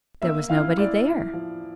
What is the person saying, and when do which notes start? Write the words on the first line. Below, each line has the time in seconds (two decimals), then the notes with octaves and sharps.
There was nobody there.
0.22 A#3 E5 E6
0.50 E4 F5 F6
0.78 E4 D5 D6
1.06 E4
1.33 F3